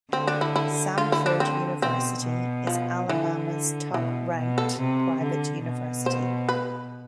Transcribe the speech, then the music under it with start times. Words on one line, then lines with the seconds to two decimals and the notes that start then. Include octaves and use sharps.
Samford University is Alabama's top-ranked private university.
0.13 D3 C4
0.27 D4
0.41 E4
0.56 E4
0.97 D3 F4
1.12 E4
1.26 D4
1.40 C4
1.82 B2 C4
2.24 B2
2.67 F3
3.09 D3 E3
3.94 B2 E3
4.37 B2
4.58 A4
4.79 C3
5.21 D3
5.63 B2
6.06 C5
6.49 B4